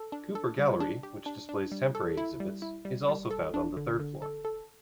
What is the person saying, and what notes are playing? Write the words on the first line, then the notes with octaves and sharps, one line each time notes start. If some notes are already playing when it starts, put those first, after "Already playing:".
Cooper Gallery, which displays temporary exhibits, is also found on the third floor.
Already playing: A4
D4
A4
G3
D4
G4
D4
D4
G3
A4
E4
G3
E4
G3
G3
A4
D4
D3
D3
A4
A4